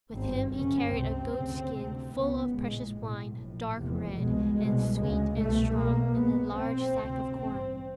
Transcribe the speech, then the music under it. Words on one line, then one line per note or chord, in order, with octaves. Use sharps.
With him he carried a goat-skin full of precious wine, dark red, and sweet and strong, and a large sack of corn.
G#1 G2 C4
G1 F#2 C#3 C#4
C#2 C3 C4
D2 C#3
D2 C3
C#2 C#3 B3
A#1 A2 G#3
B1 A2
A#1 A2
F1 E2 C3
C2 B2 G#3
C2 B2
D2 C#3 G#3
C2 B2 A3
B1 B2 A#3
B1 B2 B3
B1 A#2 C4
D2 C3
A1 G2 C4